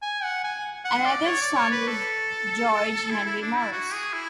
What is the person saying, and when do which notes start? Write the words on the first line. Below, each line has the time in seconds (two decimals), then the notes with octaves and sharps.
Another son was George Henry Morris.
0.02 G#5
0.23 F#5
0.44 G#5
0.85 F#5
1.05 D5
1.26 C#5
1.41 D5
1.56 C#5
1.71 B4
1.87 A4
3.10 E4
3.26 E4
3.42 D4
3.57 E4
3.72 F#4
3.93 G#4
4.13 E4